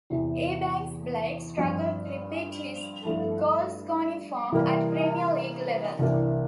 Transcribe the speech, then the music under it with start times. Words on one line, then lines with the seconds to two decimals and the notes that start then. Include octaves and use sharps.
Ebanks-Blake struggled to repeat his goalscoring form at Premier League level.
0.10 E2 C3 E3
1.58 G2 F3 C4
3.05 G2 F3 A3 E4
4.52 C3 E3 G3 A#3 F4
5.99 C2 C3 E3 A#3 D4